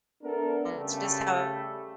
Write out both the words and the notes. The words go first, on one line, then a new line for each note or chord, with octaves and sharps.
it's just how
A3 B3 D4 A4 A#4
C#3 G3 A3